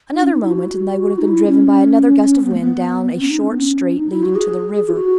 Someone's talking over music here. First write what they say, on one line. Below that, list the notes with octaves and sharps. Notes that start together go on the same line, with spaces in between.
Another moment, and they would have been driven by another gust of wind down a short street leading to the river.
D#4
C#4
D#4
E4
F#4
D#4
E4
C#4
B3
A3
B3
B3
C#4
D#4
C#4
B3
C#4
D#4
E4
F#4
G#4
G#4
E4
F#4